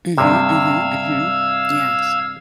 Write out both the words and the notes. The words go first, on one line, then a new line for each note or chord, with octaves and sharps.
Mhm, mhm, mhm. Yes.
G2 C3 F5 E6 G#6